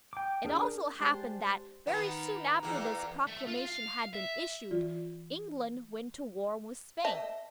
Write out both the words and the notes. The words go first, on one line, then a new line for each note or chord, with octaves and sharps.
It also happened that very soon after this proclamation had been issued, England went to war with Spain.
G5 D6
D4 G#4 A#4
G#3 D4 G4 C5 A5
D#3 B3
E2 A#3
A3
F4
F5
E5
E3 F4 D5
D#5 E5 A5